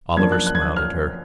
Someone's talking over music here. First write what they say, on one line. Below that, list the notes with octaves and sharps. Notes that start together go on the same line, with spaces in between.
Oliver smiled at her.
F#2 F3 A#3 D4 G#6
F#6
F#6
G#6
F#6
F6